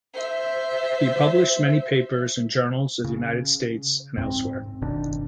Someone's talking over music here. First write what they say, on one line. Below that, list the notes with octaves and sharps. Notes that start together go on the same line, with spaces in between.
He published many papers in journals of the United States and elsewhere.
C5 E5
C#3
G#2 C4
F#1 B2 D#3 D4